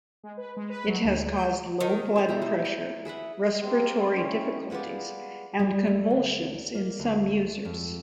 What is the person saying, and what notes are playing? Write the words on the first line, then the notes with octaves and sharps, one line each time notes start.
It has caused low blood pressure, respiratory difficulties, and convulsions in some users.
G#3
B4
G#3
B4
F#3
D2
G6
D#3
G#4 C5
B2 E4 A#5
G3 C5
G#5
G#4 B4 E5 F#5
A#3 C4 G4
C#4 D#4 E4
G3 G#3 B3 F4 D5
G3
A3
D2
A#3
D2
F2